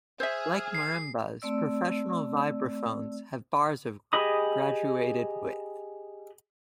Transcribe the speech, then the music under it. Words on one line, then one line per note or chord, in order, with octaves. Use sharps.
Like marimbas, professional vibraphones have bars of graduated width.
G#4 C5 E5 E6 F6 G#6
C7
A3 C4 D5 E6
G4 G#4 D#5 B5 D#6